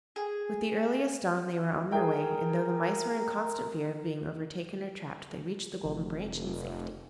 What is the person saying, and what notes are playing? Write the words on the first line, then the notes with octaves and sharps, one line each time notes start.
With the earliest dawn they were on their way, and though the Mice were in constant fear of being overtaken or trapped, they reached the Golden Branch in safety.
G#4
G#4 A#4 G5
F1